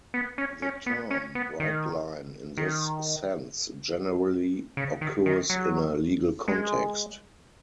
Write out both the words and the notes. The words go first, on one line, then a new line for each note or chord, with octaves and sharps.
The term "bright-line" in this sense generally occurs in a legal context.
B3
C#4
C#4
B3
C#4
B3
D#3
D#3
C#3
D#3
D#3
F#3
G#3